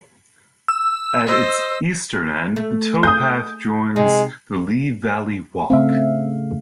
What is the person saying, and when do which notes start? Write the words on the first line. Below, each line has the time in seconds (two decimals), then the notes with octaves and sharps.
At its eastern end, the towpath joins the Lea Valley Walk.
0.68 E6
1.26 C5 D#5
2.56 A3
3.03 G#4 D#6 G6
3.96 C3 G#3 D#4
5.70 C#3 A3 C4 E5 F5